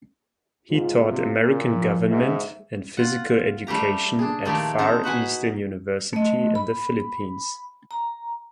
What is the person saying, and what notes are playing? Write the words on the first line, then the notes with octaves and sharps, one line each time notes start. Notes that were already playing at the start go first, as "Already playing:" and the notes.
He taught American government and physical education at Far Eastern University in the Philippines.
G#2 F4
C3
A#2
F3
G#2 E5
F4 F#5
G3 A3 G4 A#5
D4 G#4
A#2 D#3 F3 A3 G4 D5
A2 G#3 C4 D#4 A5 A#5
F#4 B4 F#5 G#5
A3 D#5
B5
A#5